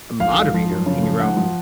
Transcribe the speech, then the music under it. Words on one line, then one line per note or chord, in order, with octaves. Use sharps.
a moderator in your own
A#1 F5
G#2
F3
F#2
C#3
F3
G#2 F#5
F3